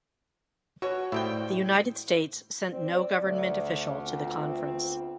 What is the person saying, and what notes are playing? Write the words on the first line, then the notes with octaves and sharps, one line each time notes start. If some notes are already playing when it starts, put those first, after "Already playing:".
The United States sent no government official to the conference.
B2 F#4 C#5
A2 E4 G4 C5 D5 G5
C4 D5
D2
B3 C4 F4